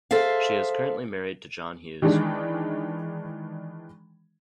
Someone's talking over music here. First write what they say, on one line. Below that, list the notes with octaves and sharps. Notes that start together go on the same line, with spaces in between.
She is currently married to John Hughes.
G#4 A4 C5 E5 F5
D#3 E3 G#3 D4